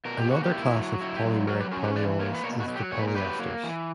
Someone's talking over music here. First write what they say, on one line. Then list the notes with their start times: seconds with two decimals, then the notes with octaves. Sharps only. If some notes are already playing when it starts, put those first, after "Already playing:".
Another class of polymeric polyols is the polyesters.
0.05 B2 A#4
0.18 G4
0.28 A#3 F#4
0.43 G4
0.52 E4
0.76 F#3
1.01 E4 F#4
1.16 G4
1.25 F#3
1.48 F#3 F#4 A#4
1.60 G4 B4
1.72 C#4 F#4 A#4
1.83 G4 B4
1.96 E3 B4 D5
2.19 A#3 A#4 C#5
2.34 B4
2.43 B2 A#4 C#5
2.60 F#4
2.68 F#3
2.76 G4
2.92 A#2 C#5
2.99 B4
3.07 A#4
3.15 F#3 G4 B4
3.39 A#3
3.64 E3